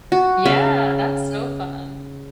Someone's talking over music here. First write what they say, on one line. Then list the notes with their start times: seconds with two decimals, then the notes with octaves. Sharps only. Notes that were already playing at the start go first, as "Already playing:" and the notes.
Yeah, that's so fun.
0.12 F#4
0.45 C#3 E5 F5